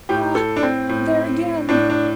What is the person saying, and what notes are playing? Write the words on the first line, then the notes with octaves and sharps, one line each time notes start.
Hah! there again!
A2 G4
A4
D4
C4
A2
A2 D4
D4